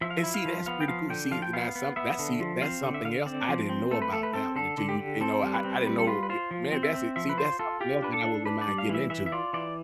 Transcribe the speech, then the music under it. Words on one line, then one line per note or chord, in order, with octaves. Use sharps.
And see, that's pretty cool, see, and that's some that's see, that's something else, I didn't know about that one until you, eh know, I I didn't know, y man, that's it see, that's something else that I wouldn't mind getting into,
F3 E5
F5
E5
E4
F5
F3
B3 F5
G5
F3 F5
D3 G5
F3 F5
G5
B3 F5
B3
B3 E5
D3
F3
C4 F5
D3
E5
D3 F5
C4 D5
F3
C4
A3 A4
B4
A3 A4
B4
C4 A4
D3 A4
D3
G4
D3
C4 A4
G3
B4
C4
G3 B4
A4
F4 B4
B4
F4 C5
F3
C4
E5
C4
F3 E5
B4
F4 C5
F4 A4
F4 G4
D4 B4
A4
D4
D4 B4
D5
G3
F5
E3
E5
E3 E5
E5
F4 D5
E3 D5